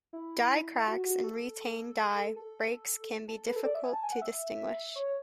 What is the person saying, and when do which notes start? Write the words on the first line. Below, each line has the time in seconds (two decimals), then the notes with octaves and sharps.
Die cracks and retained die breaks can be difficult to distinguish.
0.13 E4
0.75 E4
0.87 F#4
1.05 F#4
1.24 A4
2.36 A4
3.28 A4
3.47 B4
3.56 A4
3.65 D5
3.75 E5
3.84 G#5
3.93 A5
4.03 G#5
4.12 F#5
4.22 E5
4.96 C#5